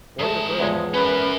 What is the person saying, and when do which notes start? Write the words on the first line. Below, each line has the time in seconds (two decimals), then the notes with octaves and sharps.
"Boy or girl?"
0.19 G#2 A3 A5
0.60 E2 F3 G#3 C#5
0.94 C#4 A#4 B4